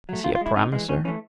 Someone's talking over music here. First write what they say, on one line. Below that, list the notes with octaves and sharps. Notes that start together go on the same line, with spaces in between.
Is he a promiser?
F#3 A3
D#3 F4
F4
G#3 E4
C3 D#4
E3 G#3
A2 C#4
E3 A3 C#4